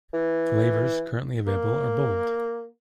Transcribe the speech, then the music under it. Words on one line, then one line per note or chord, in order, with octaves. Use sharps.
Flavors currently available are bold.
E3
A#3